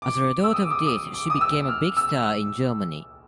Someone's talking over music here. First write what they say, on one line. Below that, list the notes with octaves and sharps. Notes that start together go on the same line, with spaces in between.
As a result of this she became a big star in Germany.
D6
E6
D#6
D6
D#6
D#6
D6
D#6
E6
F6
E6